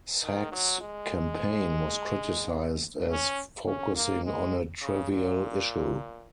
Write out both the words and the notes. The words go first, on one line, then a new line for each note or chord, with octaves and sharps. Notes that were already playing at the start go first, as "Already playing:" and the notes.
Sacks' campaign was criticized as focusing on a trivial issue.
D#3
F#3
G#3
C#4
C#4
A#3
G#3
C#3
A#2